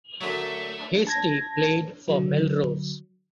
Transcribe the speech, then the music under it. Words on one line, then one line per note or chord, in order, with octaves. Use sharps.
Hastie played for Melrose.
F#2 D3 F#3 A3 E5
A5 G#6 A#6
D3 F#3